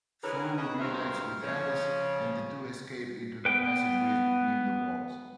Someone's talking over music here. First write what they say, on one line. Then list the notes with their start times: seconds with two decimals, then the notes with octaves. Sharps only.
Fool reunites with Alice and the two escape into the passageways between the walls.
0.24 D3 E3 C#4 G#4 A#4 C#5
0.57 C#3 E3 G#4 B4 D#5
0.80 D2 G2 F4 A#4 C5 E5
1.43 C#3 F3 C#5
3.45 B3 B4 G5